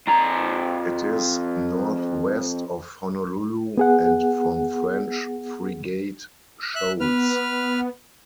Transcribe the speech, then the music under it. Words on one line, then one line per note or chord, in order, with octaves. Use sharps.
It is northwest of Honolulu and from French Frigate Shoals.
F2 A#5
B3 G#4 F#5
E5 F#6
B3 B4 F6